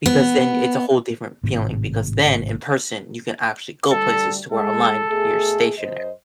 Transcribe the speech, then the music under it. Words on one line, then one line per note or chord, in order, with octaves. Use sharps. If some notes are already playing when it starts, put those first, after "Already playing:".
Because then it's a whole different feeling, because then, in person, you can actually go places, to where online, you're stationary.
B3
G#1 A2 C3
D2 D3 G3 A4
G#3 A4
B2 A3 G#4
F#2 C5 D#5